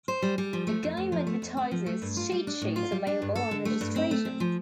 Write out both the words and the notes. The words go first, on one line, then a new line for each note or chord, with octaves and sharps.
The game advertises cheat sheets available on registration.
C5
G3
G3
F3
A3
F2
F2
F3
A3
F2
C4
F3
A3
G2
F4
G3
D4
A2
F4
G3
D4
G2
A4
D3
A3
G2
C4
A3
C4
F3